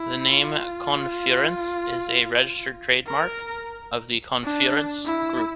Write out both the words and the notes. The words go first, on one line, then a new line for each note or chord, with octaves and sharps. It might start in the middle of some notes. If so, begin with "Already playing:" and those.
The name ConFurence is a registered trademark of the ConFurence Group.
Already playing: E4
F4
A#4
D4
E4